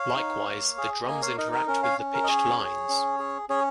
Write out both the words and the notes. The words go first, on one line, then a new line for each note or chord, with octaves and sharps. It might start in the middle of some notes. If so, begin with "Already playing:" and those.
Likewise, the drums interact with the pitched lines.
Already playing: C#5 F5
D#4
A#3
G#4
A#3 D#5 G#5
C#5 F5
D#4 A#4 D#5
A#4 D#5
C#4 A#4
C#5 F5
C#4
A#4
D#5
G#4 C#5
G#4
C#4
G#4
C#4 G#4 C#5